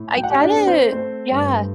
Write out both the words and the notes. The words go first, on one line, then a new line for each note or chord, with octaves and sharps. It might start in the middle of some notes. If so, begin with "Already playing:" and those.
I get it. Yeah.
Already playing: A2
F#3 G5
F#5
G4 G5
D4 D5
C4
C4 C5
A3 C4 C5
G2